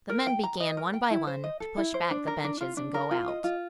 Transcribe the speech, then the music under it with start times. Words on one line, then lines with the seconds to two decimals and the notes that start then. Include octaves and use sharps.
The men began, one by one, to push back the benches and go out.
0.09 A#4
0.27 G5
0.43 A#5
0.60 D#5
0.77 A#4
0.94 G5
1.11 E4
1.27 C5
1.44 D#5
1.60 A4
1.77 E4
1.94 C5
2.11 D4
2.27 A#4
2.44 D4
2.61 F4
2.77 D4
2.94 A#4
3.11 F4
3.28 D#5
3.44 F4